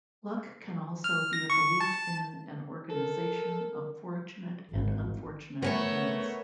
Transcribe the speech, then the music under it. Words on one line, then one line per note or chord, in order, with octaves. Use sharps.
Luck can also be a belief in an organization of fortunate and unfortunate events.
F6
A#6
C#6
A5
A4 A#4
G#1
A3 B3 A#4 C#5 G#5 A5